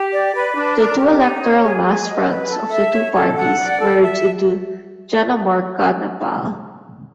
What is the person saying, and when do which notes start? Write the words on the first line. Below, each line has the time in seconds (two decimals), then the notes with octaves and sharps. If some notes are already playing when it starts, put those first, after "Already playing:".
The two electoral mass fronts of the two parties merged into Janamorcha Nepal.
Already playing: G4
0.12 D5
0.34 B4
0.55 D4
0.76 A#4
0.99 G4
1.19 D#4
1.41 C#5
1.63 G#4
1.84 G#4
2.07 D#5
2.28 B4
2.49 A4
2.71 E5
2.93 C#5
3.15 A4
3.36 F#5
3.58 D5
3.79 A4
4.02 E5